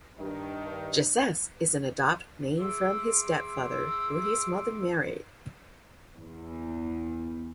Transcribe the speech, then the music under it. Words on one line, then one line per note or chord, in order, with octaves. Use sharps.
Gessesse is an adopted name from his step father who his mother married.
G2 D#3
G#4 E5 C6 D6 E6
E2